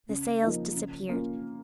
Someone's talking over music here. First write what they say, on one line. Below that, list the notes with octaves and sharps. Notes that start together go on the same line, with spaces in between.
The sails disappeared.
C#3
F3 A#3 D#4
C#3
A#3 C#4 F4